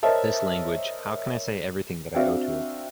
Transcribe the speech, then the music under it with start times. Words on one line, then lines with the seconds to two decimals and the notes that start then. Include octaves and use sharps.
This language, how can I say everything that I owe to it?
0.03 A#4 C5 C#5 D#5 E5 A5
2.15 C4 D4 F#4 E5 F5